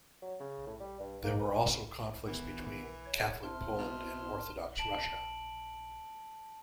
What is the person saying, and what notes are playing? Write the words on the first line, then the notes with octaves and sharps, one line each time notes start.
There were also conflicts between Catholic Poland and Orthodox Russia.
F#3
C#3
A2
G3
G2
A#3
B4
D#3 E3 B3
C#5
C4 E4 A5 C6 F6
B2
A5 D7 F#7